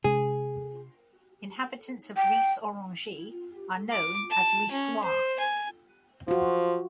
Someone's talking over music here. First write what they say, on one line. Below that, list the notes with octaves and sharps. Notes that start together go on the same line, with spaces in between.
Inhabitants of Ris-Orangis are known as "Rissois".
C3 G#3 C#4 G#4
G5
D6
A5
C#4
C5
G#5
F3 F4 F#4